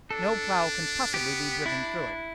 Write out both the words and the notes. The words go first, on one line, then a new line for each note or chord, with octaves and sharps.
No plough can possibly be driven through it.
D4 A4
B3 G4
D4 E4